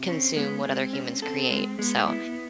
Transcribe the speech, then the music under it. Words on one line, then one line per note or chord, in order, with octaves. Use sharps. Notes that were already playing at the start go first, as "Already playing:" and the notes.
consume what other humans create. So
Already playing: C3
C4 C#4
G#3 B3
G#3 C4
C#4
C4 A4
G#3
G#3 B3
B3 E4